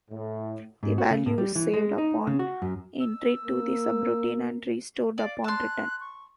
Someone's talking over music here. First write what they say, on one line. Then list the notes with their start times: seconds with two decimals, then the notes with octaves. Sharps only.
The value is saved upon entry to the subroutine and restored upon return.
0.10 A2
0.83 G#2
0.98 F#4
1.10 C#3
1.26 A2
1.38 G3
1.56 E3
1.74 G#3
1.98 D#4
2.27 C#3
2.39 F#4
2.62 F#2
3.01 E6
3.45 A#3
5.18 D5 F5
5.44 A5 C6 F#6
6.00 C#6